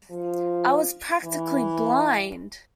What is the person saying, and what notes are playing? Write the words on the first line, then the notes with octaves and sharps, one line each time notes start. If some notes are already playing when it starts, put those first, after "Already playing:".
I was practically blind.
F3
E3